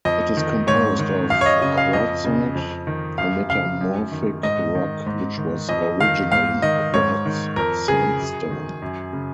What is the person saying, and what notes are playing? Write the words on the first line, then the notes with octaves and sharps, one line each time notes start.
It is composed of Quartzite, a metamorphic rock which was originally quartz sandstone.
F2 D#5
D#3
G#2 C#5
D#3
F#2 F5
C#5
D#5
C#3 D#5
F5
F2 D#5
C#3
F2
D#3
F#2 F5
C#3 F5
F#2
D#3
G#2 D#5
D#3
G#2
D#3
F2 D#5
D#3 F5
G#2 F5
D#3 D#5
G#2 C#5
D#3
F2 A#4
C#3 G#4
F#2
D#3
F#2
C#3